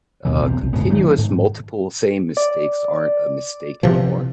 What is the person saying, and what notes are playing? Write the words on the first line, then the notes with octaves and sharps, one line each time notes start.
uh, continuous, multiple, same mistakes aren't a mistake anymore.
D#2 B2 E3
B1 E2 C3 C4
B1
D1 G#2 C#3 B3
D#3 F#3 A3
G#2
D5
C3 E3 F3